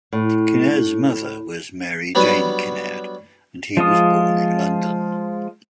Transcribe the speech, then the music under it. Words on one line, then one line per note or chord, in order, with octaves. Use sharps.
Kinnaird's mother was Mary Jane Kinnaird and he was born in London.
A2
F#3 G3 B3 D4
F3 G#3 F4 D#6